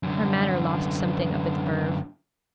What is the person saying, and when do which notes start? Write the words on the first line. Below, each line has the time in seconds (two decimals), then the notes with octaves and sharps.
Her manner lost something of its verve.
0.03 F#2 D3